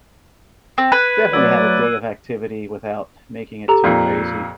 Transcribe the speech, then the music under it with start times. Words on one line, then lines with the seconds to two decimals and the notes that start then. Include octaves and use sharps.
definitely have a day of activity without making it too crazy.
0.78 C4
0.92 B4 F#6 G#6 D#7
1.33 F#3 A3 D5 E6 G#6 D7
3.68 G4 A4 A#5
3.84 F2 A#2